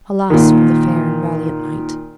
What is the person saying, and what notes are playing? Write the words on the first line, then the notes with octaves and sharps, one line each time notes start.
Alas, for the fair and valiant knight!
A#2 D#3